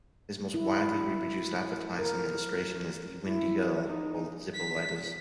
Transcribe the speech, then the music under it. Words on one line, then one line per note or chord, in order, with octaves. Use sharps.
His most widely reproduced advertising illustration is the "Windy Girl" for Zippo lighters.
E4
A#4
E4
D#4
B6